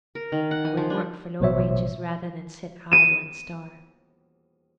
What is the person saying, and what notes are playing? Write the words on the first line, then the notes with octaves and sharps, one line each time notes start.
I would work for low wages rather than sit idle and starve.
A#4
D#3
F#5
G#5
F3
D4
A1 B2 F#3 C5 C#5 E5
D#7 E7